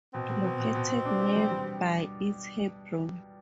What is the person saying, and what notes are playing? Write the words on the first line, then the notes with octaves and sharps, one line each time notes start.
Located nearby is Hebron.
B2 C4
B2
B2
B2
B2
B2
D4
G4
G3
G3